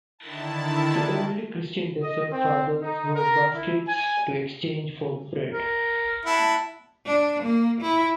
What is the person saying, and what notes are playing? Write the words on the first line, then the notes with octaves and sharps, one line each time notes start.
The early Christian Desert Fathers wove baskets to exchange for bread.
D3 D#3 E4 A5
D#5
C4
D#4
A#4
E4
G#5
A#4
E4 F#5 A5
D4
A#3
E4